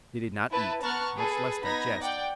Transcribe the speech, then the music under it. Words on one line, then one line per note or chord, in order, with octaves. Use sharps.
They did not eat, much less digest.
E4 B4 A5
B3 A5 A#5 C#6 F6 F#6
G#4 A4 B4
B3 D#4 B5 G#6 A#6
D5 F#5 G5